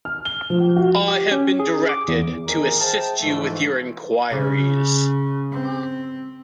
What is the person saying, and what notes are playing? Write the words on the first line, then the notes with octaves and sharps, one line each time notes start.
I have been directed to assist you with your enquiries.
F6
G7
F3
F#4
G4
C#4
G#4
D6
E2
G#1 D#2 D#3 G#4 A#4
G#4 C5 E5 G5 A5
G#2 E3 F3 A3
C#3
C4